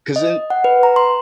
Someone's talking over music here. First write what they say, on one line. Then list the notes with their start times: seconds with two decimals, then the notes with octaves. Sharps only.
'Cause then
0.16 D#5
0.50 F#5
0.64 B4
0.83 A#5
0.96 C6